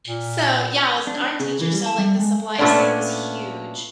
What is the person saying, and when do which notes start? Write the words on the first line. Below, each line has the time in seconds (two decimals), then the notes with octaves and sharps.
So, yeah, I was an art teacher, so, like, the supplies thing was huge
0.07 A#2
1.07 D4
1.24 D4
1.40 C#3
1.61 E3
1.73 G3
1.86 A5
1.98 G3
2.19 G#3
2.59 A#2 A3 B3 C#4 D4